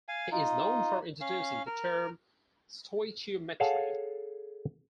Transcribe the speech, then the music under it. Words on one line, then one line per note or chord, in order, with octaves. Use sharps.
He is known for introducing the term "stoichiometry".
F5 G#5
D#4 F4
C#4 F5
A#4
G#4 A4 C#5 F5 F#5 A5